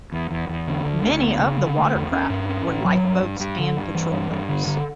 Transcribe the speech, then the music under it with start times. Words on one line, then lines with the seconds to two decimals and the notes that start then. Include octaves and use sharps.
Many of the watercraft were lifeboats and patrol boats.
0.12 E2
0.30 E2
0.49 E2
0.68 D3
0.85 D2
1.03 D2
1.21 B3
1.40 C#3
1.57 D3
1.77 A3
1.94 E2
2.12 C#4
2.30 G2
2.49 C#4
2.67 A1
2.84 F#3
3.04 G2
3.21 G2
3.40 G2
3.58 D3
3.76 G2
3.95 E3
4.12 G2
4.31 G2
4.49 D3
4.67 D3